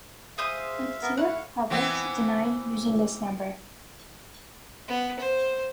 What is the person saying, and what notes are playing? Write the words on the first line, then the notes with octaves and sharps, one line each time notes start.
Akter Public denied using this number.
G#4 C5 E5 F5 D#6
B3 A#4
A2 E4 C#5 F5 F#5
E3 B3 C4
B3
C5